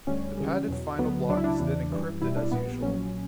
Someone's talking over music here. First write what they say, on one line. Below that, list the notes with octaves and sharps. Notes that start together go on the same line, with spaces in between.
The padded final block is then encrypted as usual.
D2 D3 G3 C#4
C#2 C#3 E3 G3
E2 B2 F#3
D2 D3 F#3 B3
C#2 C#3 F#3 D4
E4
D4
E2 C#3 E3
F#2 E3 G3
B1 B2 G3 E4
D4
A#1 A#2 G3 B3
A#1 A#2 F#3 C#4